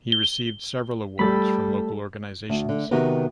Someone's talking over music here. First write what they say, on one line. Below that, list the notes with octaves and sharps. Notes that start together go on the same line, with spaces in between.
He received several awards from local organizations.
G7
G3 A3 A4 B5
D2
D3
C3 D#3 B3 F#4 G4 B4